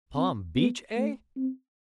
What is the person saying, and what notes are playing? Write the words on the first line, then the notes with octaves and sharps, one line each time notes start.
"Palm Beach, eh?"
C4
B3
A3
C4